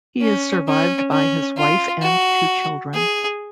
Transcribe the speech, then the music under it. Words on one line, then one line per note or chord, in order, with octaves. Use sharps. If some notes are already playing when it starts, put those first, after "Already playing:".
He is survived by his wife and two children.
C#4
C#4
C#4
F4
F#4
G#4